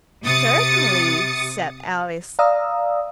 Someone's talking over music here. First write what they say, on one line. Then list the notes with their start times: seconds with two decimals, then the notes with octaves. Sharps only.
'Certainly,' said Alice.
0.24 C3 D#6 A6 C#7
2.39 D5 F5 A#5 D#6 E6